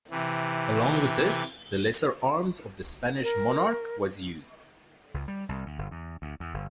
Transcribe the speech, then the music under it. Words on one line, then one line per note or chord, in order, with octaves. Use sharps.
Along with this, the lesser arms of the Spanish monarch was used.
C3 E3
A#4
C#2
G3
C2
D2
G1
E2
D2
E2
G1